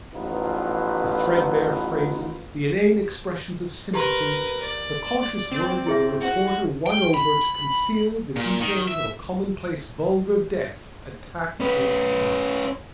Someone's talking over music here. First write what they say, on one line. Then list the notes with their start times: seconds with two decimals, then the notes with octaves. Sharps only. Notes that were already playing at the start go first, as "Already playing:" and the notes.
The threadbare phrases, the inane expressions of sympathy, the cautious words of a reporter won over to conceal the details of a commonplace vulgar death attacked his stomach.
0.14 A1 F3 B3 D#4 F4 B4
3.94 G4 A#4 B4 A#5 C6
4.63 D5
5.52 C4
5.86 E4 G#4 E5
6.21 F#4
6.86 G5
7.14 B5
8.36 A#2
8.61 D#3
8.88 E5
11.60 C#4 B4